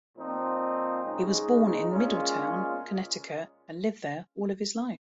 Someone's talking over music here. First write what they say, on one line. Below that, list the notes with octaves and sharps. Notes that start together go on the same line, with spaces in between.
He was born in Middletown, Connecticut and lived there all his life.
A#2 F3 C4 D#4
C#3 G#3 D#4
A#2 G#3 C#4 F4